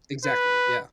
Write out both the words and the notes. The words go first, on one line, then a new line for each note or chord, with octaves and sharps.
Exactly, yeah.
B4